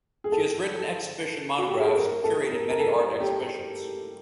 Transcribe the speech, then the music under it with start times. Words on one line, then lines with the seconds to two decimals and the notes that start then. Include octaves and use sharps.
She has written exhibition monographs and curated many art exhibitions.
0.24 G#4
0.32 A4
1.58 F#4
1.69 G4
1.78 G#4
1.87 A4
1.97 A#4
2.24 A4
2.51 A#4
2.71 A#4
2.79 A4
3.20 G4